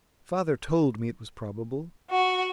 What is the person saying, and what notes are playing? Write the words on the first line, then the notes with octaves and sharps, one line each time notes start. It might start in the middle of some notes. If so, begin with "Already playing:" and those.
'Father told me it was probable.'
F#4